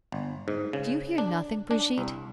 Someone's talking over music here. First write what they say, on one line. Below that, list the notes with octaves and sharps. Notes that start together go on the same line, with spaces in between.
Do you hear nothing, Brigitte?
G1
G#2
C#3
D4
D4
C2